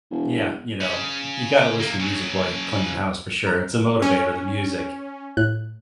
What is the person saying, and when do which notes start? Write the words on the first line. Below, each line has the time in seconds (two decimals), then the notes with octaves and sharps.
Yeah, you know, you gotta listen to music while you're cleaning the house for sure, it's a motivator, the music.
0.11 E1
0.81 C#3
1.80 C3 A#3
2.00 C#3 F#3
3.47 A#5
4.02 C#4
5.37 A2 F#6